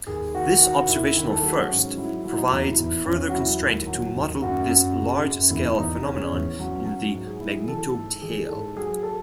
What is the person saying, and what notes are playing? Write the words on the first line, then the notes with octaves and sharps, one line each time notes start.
This observational first provides further constraint to model this large-scale phenomenon in the magnetotail.
D#2 G#4
D#3 F#4
D#3 F#4
D#2 E4
D#3 E4
A4
F#3 G#4
F#4
G#2 C#4
F#3 E4
F#3 E4
D#4
E2 D#4
E4
E2 E4
E2 C#4
F#4
F#3 E4
D#2
F#3
D#2
F#2 F#4
F#2
C#3
F#2
E2 E4
E2 D#4
C#3 C#4
E2
F#3
F#3
G#2 F#4
G#4
F#3 E4
G#4
E3 A4
G#2
E3 G#4
G#2 A4
F#3 G#4
A4